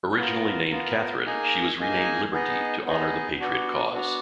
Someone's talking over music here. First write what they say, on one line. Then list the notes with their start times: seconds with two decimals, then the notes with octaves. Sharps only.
Originally named Katherine, she was renamed "Liberty" to honor the patriot cause.
0.18 B3 F4 A#4
0.71 B3 F4 A#4
1.25 A#3 D#4 G#4 D#5 G#5
1.79 A#3 D#4 G#4 D#5 G#5
2.32 B3 D#4 G#4 D#5
2.85 B3 D#4 G#4 D#5
3.40 B3 D4 F#4
3.93 B3 D4 F#4